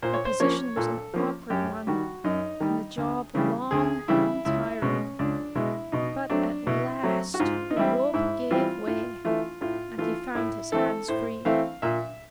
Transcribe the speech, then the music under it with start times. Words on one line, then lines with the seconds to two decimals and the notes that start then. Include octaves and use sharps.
The position was an awkward one and the job long and tiring, but at last the rope gave way and he found his hands free.
0.02 A#2 C5
0.14 C#5
0.25 C5
0.40 F3 A#3 C#4 C#5
0.76 A#2 A4
1.14 F3 A#3 C#4
1.50 F#2 G4
1.87 D#3 G3 F#4
2.24 F#2 D#4
2.60 D#3 G3
2.97 D2
3.35 C#3 E3 G3
3.71 D2 G#4
4.08 C#3 E3 G3 E4
4.45 C#2 E4
4.82 B2 G#3 C#4
5.19 C#2 D4
5.55 B2 G#3 E4
5.92 B2 D#4
6.30 F#3 A3 C4 D4
6.67 B2 E4
7.03 F#3 A3 C4
7.34 F#4
7.40 G#2 F4
7.71 D#4
7.76 E3 G3 C4 E4
8.13 G#2 E4
8.51 E3 G3 C4 F4
8.87 A2 F4
9.25 E3 A3 F4
9.61 A2 F4
9.98 E3 A3 F4
10.35 A2 E4
10.72 E3 A3 C4 A4
11.08 A2 C5
11.45 E3 A3 C4 F5
11.82 A#2 E5